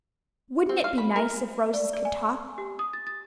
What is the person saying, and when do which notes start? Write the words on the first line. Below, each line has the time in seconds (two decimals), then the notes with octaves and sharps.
Wouldn't it be nice if roses could talk?
0.69 C4
0.84 F5
0.98 B5
1.16 A#4
1.74 D5
1.93 D5
2.05 G#5
2.25 G#5
2.58 G4
2.79 D#6
2.93 A6
3.07 A6